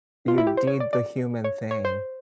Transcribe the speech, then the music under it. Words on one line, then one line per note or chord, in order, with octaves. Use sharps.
you did the human thing,
F4
E4
G4
C5
C#5
D5
D5
C#5
C#5
C5